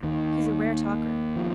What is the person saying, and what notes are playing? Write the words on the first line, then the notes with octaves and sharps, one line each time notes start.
He's a rare talker.
D#2 D#3
F3